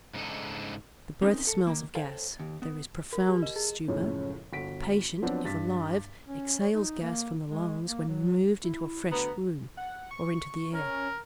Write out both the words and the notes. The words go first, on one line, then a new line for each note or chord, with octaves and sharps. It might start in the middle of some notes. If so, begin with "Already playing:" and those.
The breath smells of gas; there is profound stupor; the patient, if alive, exhales gas from the lungs when removed into a fresh room or into the air.
G#2 C#3 D4 D#4 A4
C4 C#4 D#4 G#4 A#4 C#5
A4
D#3 E3 A#3
A4 C5 C#5 F5 G5 G#5
D#2
B3
A#4
G4
D#5
G#4
F#2 A2 C#3 F3 G#3 C#4
G1 F#4 B6 D7
F3 F#3 B3 C4 D4
G2 A6 B6
C#4
C#5
D#4
A#3
G#3
A#3
F#3
E4
D2 B3 A#5
F#5
C#6
C#4 A#4